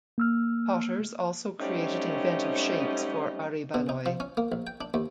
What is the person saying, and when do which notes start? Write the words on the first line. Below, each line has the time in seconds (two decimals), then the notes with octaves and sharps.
Potters also created inventive shapes for aryballoi.
0.18 A#3 E6 F6
1.60 F#3 G3 A3 C4 C#4 D#4
3.74 B2
3.89 D#4
4.06 F3
4.20 C#4
4.37 A#3
4.52 A#1
4.67 G5
4.81 D4
4.94 D#2